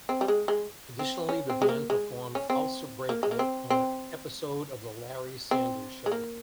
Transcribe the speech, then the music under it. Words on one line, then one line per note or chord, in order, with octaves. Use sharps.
Additionally, the band performed "Ulcer Breakout" on an episode of "The Larry Sanders Show".
C4
G3
G#3
G#3
C4
C#4
C4
G#3
A#3
G#3
C#4
C4
A#3
G#3
A#3
C4
C4
C4
G#3
A#3